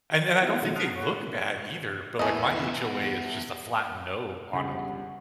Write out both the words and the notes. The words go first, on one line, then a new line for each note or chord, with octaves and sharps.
and then I don't think they look bad either, but like my HOA is just a flat no on 'em.
G5
B3 D#4 E4 F#4 G5 G#5
B2 D#3 F3 F#3 G#3 A3
F#5 A5 A#5 C6 D#6 F6
C#5 F#5
E2 A3 B3 E4 G#4 D#5
G1 C#2 G3 F#5